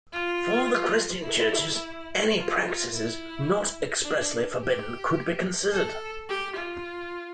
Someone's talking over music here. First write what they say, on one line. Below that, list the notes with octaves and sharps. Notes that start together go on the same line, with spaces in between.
For the Christian Churches, any practices not expressly forbidden could be considered.
F4
E4
F4
E4
D4
G4
A4
G4
F4